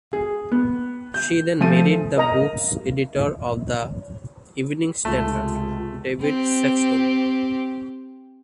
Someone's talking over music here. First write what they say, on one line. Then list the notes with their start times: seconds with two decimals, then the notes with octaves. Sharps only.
She then married the books editor of the "Evening Standard", David Sexton.
0.13 G#4
0.52 B3
1.14 G6
1.61 F3 A3 D#7
2.16 A#4 D#5 A#5
5.05 C#2 C3 A3 F4
6.20 C4 G4